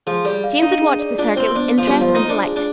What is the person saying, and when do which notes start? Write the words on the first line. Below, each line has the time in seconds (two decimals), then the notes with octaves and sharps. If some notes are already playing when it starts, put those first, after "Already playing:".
James had watched the circuit with interest and delight.
0.07 F3 G#4
0.25 G3 D5
0.44 F5
0.62 D4 D#4
0.82 G#4
0.99 D5
1.18 D4 F4
1.36 C4 C5
1.55 B3 D4
1.74 F3 B3
1.87 G3
1.92 F4
2.01 F3
2.10 C5
2.15 D#4
2.29 D4 F4
2.47 G#4
2.56 D4